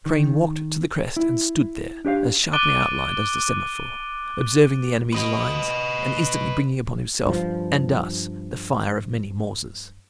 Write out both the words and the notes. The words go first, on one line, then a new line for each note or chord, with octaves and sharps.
Crane walked to the crest and stood there as sharply outlined as a semaphore, observing the enemy's lines, and instantly bringing upon himself and us the fire of many Mausers.
D#3
E4
D4 G4 D5 F5
D6 F#6 A6 D7 D#7 G7
B4 D#5
G2 F3